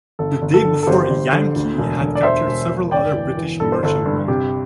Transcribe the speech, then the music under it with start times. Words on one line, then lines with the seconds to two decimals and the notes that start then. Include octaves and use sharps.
The day before "Yankee" had captured several other British merchantmen.
0.19 G1 A4
0.42 G1
0.54 A4
0.65 D3
0.83 A4
0.87 G1 G4 C5
1.10 G1
1.33 D3
1.56 D2
1.78 E1
2.01 D3
2.15 D5
2.23 E1 C5 E5
2.47 E1
2.69 E1
2.91 G1 D5 G5
3.15 E3
3.37 E3
3.60 G2 A4
3.72 C5
3.83 G1 A4
4.05 G2
4.28 C3 G4